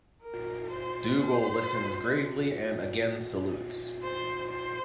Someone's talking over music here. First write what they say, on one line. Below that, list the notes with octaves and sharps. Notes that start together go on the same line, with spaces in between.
Dougal listens gravely and again salutes.
A#4
C5
C5
C5
C5